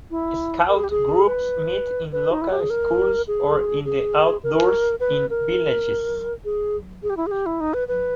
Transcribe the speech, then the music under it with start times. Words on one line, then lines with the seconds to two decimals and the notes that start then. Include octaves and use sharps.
Scout groups meet in local schools or in the outdoors in villages.
0.11 E4
0.68 A#4
0.76 G#4
0.84 G4
0.90 G#4
1.27 B4
2.12 B4
2.31 D#4
2.41 E4
2.50 G4
2.60 G#4
2.70 A#4
3.28 G#4
3.85 G#4
4.43 A#4
5.00 B4
5.30 A#4
6.45 G#4
7.03 G#4
7.10 G4
7.17 E4
7.27 G#4
7.31 G4
7.46 E4
7.60 D#4
7.74 B4
7.88 B4